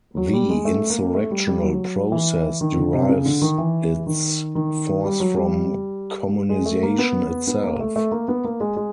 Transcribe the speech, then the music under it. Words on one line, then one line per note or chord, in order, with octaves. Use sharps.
The insurrectional process derives its force from communisation itself.
F#3
G3
G#3
A3
A#3
A3
G3
G3
F#3
E3
D#3
D3
C3
C#3
D3
D#3
E3
D#3
D#3
G3
F#3
G3
G#3
A3
A#3
B3
B3
A#3
A3
A3
A#3
B3
A#3
G#3
G#3